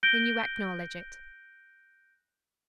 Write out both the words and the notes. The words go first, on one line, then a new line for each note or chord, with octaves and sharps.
"Then you acknowledge it?"
F#6 G6 A#6 D7 G7